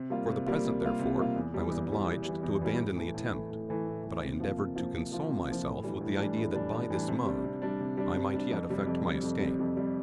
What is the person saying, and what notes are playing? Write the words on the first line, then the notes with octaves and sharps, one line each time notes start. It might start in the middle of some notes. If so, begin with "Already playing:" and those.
For the present, therefore, I was obliged to abandon the attempt; but I endeavoured to console myself with the idea that by this mode I might yet effect my escape.
Already playing: C3
G3 A#3 F4
C3
G3 A#3 F4
C3
G3 A#3 F4
C3
G3 A#3 F4
E2
E3 G3
E2
E3 G3
E2
E3 G3
E2
E3 G3
A2
E3 A3
A2
E3 A3
A2
E3 A3
A2
E3 A3
C3
F3 A#3 F4
C3
F3 A#3 F4
C3
F3 A#3 F4
C3
F3 A#3 F4
A2
E3 G3 D4
A2
E3 G3 D4
A2
E3 G3 D4
A2
E3 G3 D4
C3
G3 D4
C3
G3 D4
C3
G3 D4
C3
G3 D4
F2
C3 G3
F2
C3 G3
F2
C3 G3
F2
C3 G3